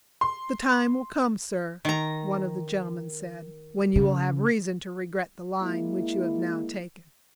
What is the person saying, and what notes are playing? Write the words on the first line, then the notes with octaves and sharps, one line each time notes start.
"The time will come, sir," one of the gentlemen said, "when you will have reason to regret the line which you have now taken."
C6
D#3 A#5
C#3
G#3 A#3 E4